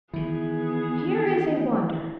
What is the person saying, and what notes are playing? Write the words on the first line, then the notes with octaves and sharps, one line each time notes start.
"Here is a wonder!"
D#3 E3 B3 E4 G#4